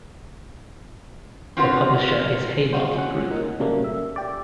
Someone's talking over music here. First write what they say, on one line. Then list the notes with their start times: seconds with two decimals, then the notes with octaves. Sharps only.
The publisher is Haymarket Group.
1.57 C4 C#4 F4 F#4 A#4 B4
2.73 F4 F#4 C5
2.96 C#4 F#5
3.30 A#3 D#4
3.60 A#2 C#3 F#3 G3 A3 A#3
3.84 E5
4.16 G4 D5